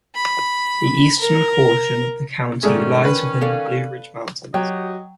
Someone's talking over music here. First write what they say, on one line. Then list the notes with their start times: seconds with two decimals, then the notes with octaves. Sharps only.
The eastern portion of the county lies within the Blue Ridge Mountains.
0.15 B5
1.19 A#4
2.63 G#2 D#3 A3 C#4 G#4 D5
3.05 B4
3.41 A4 D5 F5
4.54 F#3 F#4 G4 D#5 G5